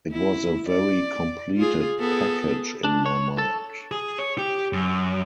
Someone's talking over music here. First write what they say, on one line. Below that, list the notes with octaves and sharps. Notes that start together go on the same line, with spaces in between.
It was a very completed package in my mind.
E4
D5
F4 G#4
B3 G#4 A4
D4
C#5
A4
G#4
C#5
G4
F#2